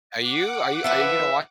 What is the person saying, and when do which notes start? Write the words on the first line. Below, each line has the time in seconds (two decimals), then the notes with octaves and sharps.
Are you are you are you gonna wa
0.20 F#5 D6
0.84 F3 E4 B4 E5